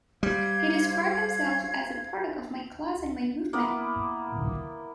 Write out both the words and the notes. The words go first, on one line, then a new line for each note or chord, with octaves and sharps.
He described himself as "a product of my class and my movement".
G3 C5 F5 G#6
A#3 B3 E4 B4